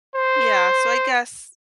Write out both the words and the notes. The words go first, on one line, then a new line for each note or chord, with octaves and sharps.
Yeah. So, I guess,
C5